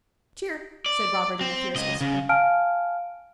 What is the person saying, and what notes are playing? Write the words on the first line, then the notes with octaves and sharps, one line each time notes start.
'Cheer,' said Robert in a fierce whisper.
D5
C4
C#2 D#5
C#3
F5 G#5 A5 F6 D7